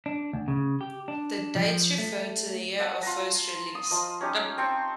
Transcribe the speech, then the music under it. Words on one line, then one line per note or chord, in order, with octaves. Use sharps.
The dates refer to the year of first release.
D4
D2
C#3
G4
D4
F3
A3
E5 F#5 A5
F4 A#5
D#6
F3 D#5
C#4 D#4 G4
C4 G5 A5 C#6